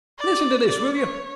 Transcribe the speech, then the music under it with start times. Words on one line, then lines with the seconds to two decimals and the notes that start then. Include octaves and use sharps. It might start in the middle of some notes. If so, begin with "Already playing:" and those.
Listen to this, will you?
0.19 D5
0.66 D5
0.97 C#5